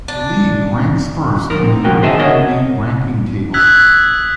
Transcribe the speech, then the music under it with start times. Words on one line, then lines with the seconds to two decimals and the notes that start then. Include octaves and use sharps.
The league ranks first in the European league ranking table.
0.08 D4
1.50 D2 F3 D#4 A#4
1.64 C4 D#4
1.84 A2 F3 G#3 F#4 A#4 G5
2.02 G#4 C5 D#5 E5 G#5 A5
2.18 B3 F#4 A#4 C#5 D#5 F#5
3.54 D#6 E6 F#6 G#6 B6 F#7